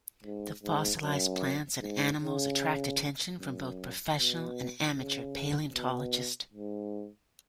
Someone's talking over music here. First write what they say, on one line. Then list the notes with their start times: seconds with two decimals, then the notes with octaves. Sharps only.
The fossilized plants and animals attract attention from both professional and amateur paleontologists.
0.24 G#2
0.63 G#2
1.02 F#2
1.81 G#2
2.20 C#3
3.38 F#2
4.17 B2
4.96 C#3
5.74 B2
6.54 G#2